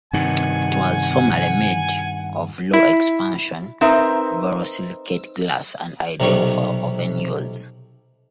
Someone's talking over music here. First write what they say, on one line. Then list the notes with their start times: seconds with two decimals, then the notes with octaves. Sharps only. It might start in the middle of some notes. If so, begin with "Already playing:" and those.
It was formerly made of low expansion borosilicate glass and ideal for oven use.
0.13 G2 C3 D#3 F#5 G#5
2.74 E4
3.81 C4 D#4 A#4 B4 E5
6.20 B1 C3 D#3 G3 C#6